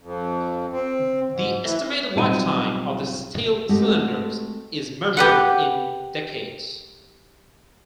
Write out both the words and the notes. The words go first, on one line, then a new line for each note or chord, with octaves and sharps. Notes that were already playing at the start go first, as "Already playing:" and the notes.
The estimated lifetime of the steel cylinders is measured in decades.
F2
C4
G#2
E3
B1 G3 C4 F4 D#5 D#7
G#3 A3 C4 F#4 G4 A4
G4 B4 F#5